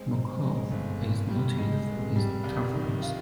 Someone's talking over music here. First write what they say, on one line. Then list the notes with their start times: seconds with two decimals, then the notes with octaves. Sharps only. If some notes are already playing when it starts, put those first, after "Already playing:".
Markov is noted for his toughness.
Already playing: G#3 C4
0.15 C4
0.43 G#3
0.71 G1
1.01 G#1
1.29 G3
1.58 G#3
1.87 F1
2.16 G3
2.44 C2
2.73 D#3
3.02 F4